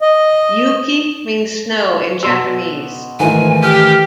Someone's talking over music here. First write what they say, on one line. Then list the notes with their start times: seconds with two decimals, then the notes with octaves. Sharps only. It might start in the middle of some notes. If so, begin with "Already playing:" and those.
'Yuki' means 'Snow' in Japanese.
0.01 D#5
2.23 B2 C6 E6
3.20 G#2 D#3 E3 A3 F4 G#5
3.63 G4 F6